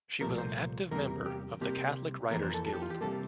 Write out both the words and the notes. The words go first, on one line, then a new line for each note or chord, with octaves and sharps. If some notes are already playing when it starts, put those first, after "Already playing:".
She was an active member of the "Catholic Writers Guild".
C2 A#2 F3 A3 A#4
C5
E2 C3 G3 A#3 A#4
G4
C2 C3 G3 A#3 G4
F2 E3 A#3 A#4
C5
A4
A4
G4
F4
G4
C3 G3 A#3 A4